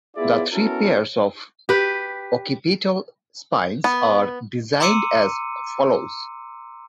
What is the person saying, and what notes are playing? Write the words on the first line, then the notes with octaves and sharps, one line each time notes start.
The three pairs of occipital spines are designed as follows.
B3 E4 F4 G#4 D5 E5
B3 C#4 E4 F#4 A4 A#4
G4 B4
B3
A#5 C6 D6 E6 C#7 D#7